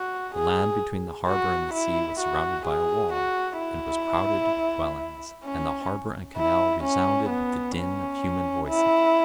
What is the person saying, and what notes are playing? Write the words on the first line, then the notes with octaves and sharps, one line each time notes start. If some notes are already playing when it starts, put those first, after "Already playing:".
The land between the harbour and the sea was surrounded by a wall, and was crowded with dwellings, and the harbour and canal resounded with the din of human voices.
Already playing: F#4
G#4
F#4
E4
F#4
G#4
F#4
E4
C#4
E4
C#4
B3
C#4
E4